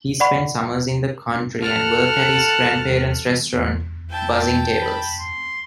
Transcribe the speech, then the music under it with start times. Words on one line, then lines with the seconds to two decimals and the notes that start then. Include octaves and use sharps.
He spent summers in the country and worked at his grandparents' restaurant bussing tables.
0.20 D5 F#5 B5 C#6
1.62 A4 F#5 A5 F6 F#6
4.11 E4 G5 A5
4.82 B5
5.20 C6